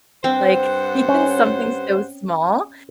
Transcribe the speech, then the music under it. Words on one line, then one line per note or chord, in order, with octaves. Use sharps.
Like, even something so small.
G2 C4 C5 F#5
C#4